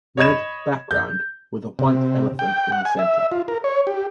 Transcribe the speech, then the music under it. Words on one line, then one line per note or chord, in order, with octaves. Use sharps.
Red background with a White elephant in the center.
C#5 D#5 B5 G#6 E7
G6
C3
G5
F#5
G#5
E5
F4
A#4
C#5
G4